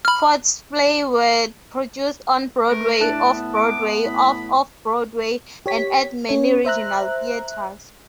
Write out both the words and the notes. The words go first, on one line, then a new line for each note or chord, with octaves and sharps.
Foote's plays were produced on Broadway, Off-Broadway, Off-Off-Broadway and at many regional theatres.
B5 F6
A3 A#4 B4
A2 D4 D5 E5 A5 F#6
B3
D6
A2 B5
G4 C#5 B6
C#4 C#5
C5 E5 A#5 F#6